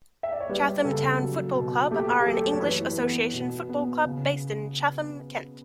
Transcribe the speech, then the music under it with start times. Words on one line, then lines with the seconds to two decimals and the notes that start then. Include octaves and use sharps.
Chatham Town Football Club are an English Association Football club based in Chatham, Kent.
0.23 E5
0.32 D5
0.40 C#5
0.49 G3 B4
0.84 C#3 A4
1.20 F#3
1.55 B2
1.91 A3 G4
2.21 G4
2.27 F#2 A4
2.53 C#5
2.62 E3 B4
2.98 B3
3.33 B2
3.69 B3
4.05 C#3